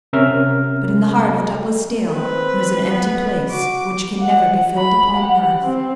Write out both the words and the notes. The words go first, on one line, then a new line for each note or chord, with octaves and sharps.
But in the heart of Douglas Dale there is an empty place which can never be filled upon earth.
C3 C#4 A#4 E5 F6
C4 B4
B3
F#4 D6
F#5
B5
G4 F#5
C4